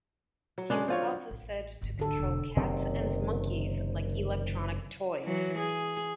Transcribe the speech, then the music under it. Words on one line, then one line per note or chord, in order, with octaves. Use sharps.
He was also said to control cats and monkeys like electronic toys.
F#3
C#3 G#3 D4
C4 F4 C#5
A1
G#1 D2
D3 A4
E1
F#1 C3 D#3 C4
E3 F#3
G#4